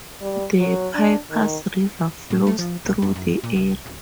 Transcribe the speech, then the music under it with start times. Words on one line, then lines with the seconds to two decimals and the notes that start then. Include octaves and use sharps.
The Pipers River flows through the area.
0.21 G3
0.59 F#3
0.94 D4
1.31 D#3
2.30 A2
2.47 A3
2.59 F3
2.85 B1
3.02 F#2
3.16 F#2
3.44 A#2
3.56 C2
3.86 D1